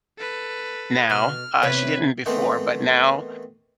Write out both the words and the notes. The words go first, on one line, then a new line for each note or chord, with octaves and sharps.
now- uh, she didn't before- but now,
A4 B4
B2 F6
E2 C3 B4 C#5
D#3 E3 A3 B3 C4